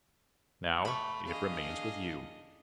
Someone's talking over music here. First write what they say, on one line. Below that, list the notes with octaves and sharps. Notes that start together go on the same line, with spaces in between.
Now it remains with you.
A3 B5 C#6
D4 G#4 D#5 F5